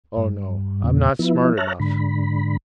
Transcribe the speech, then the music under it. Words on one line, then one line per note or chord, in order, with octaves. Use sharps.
"Oh, no, I 'm not smart enough."
G2
E2 A#2 C#3
F3 B3 E4
C#5 E5 A5 A#5 F6 F#6
G#2 D3 B5